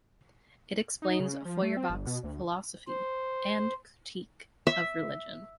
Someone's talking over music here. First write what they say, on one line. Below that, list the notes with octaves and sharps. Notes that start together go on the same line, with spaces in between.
It explains Feuerbach's philosophy and critique of religion.
D#4
C#3
F3
A3
C4
G1
B2
D2
C5
E5